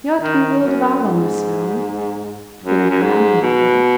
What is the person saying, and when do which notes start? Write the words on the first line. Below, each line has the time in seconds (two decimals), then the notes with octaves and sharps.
"You ought to be wheeled about on the snow in a perambulator."
0.22 D#3
0.63 F#2
1.03 G#2
2.62 F#2
2.89 F#2
3.02 G#2
3.42 B2